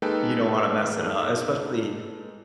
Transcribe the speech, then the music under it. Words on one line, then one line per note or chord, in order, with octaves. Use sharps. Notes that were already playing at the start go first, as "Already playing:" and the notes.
You don't wanna mess it up, especially
G#3 A#3 D#4 A4 B4 G5